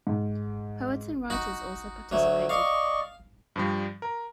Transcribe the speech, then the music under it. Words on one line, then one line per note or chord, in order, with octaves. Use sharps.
Poets and writers also participated.
G#2
D#4 F#4 B5
D2 F#3 A3
D5 D#5 F5 C#6
G2 F3 G3
A#4